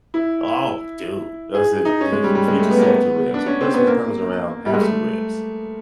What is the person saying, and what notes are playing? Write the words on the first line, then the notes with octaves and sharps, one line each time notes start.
Oh, b dude. I said, "Just treat yourself to ribs. When Christmas comes around, have some ribs."
E4
G#4
D#4
C#4
G#3
G3
G3
G#3
A3
B3
A#3
B3
D4
C#4
C4
B3
A#3
G3
G#3
A3